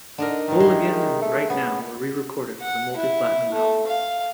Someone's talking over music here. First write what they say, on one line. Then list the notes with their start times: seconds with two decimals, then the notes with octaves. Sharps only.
"Whole Again" and "Right Now" were re-recorded for the multi-platinum album.
0.18 D3 D4 D#4 A#4
0.48 G2 D#3 A#3
0.60 G#3 E4 C6
1.22 A3
1.50 B3 C#4
2.61 F#5
2.97 E4
3.53 A3
3.87 F5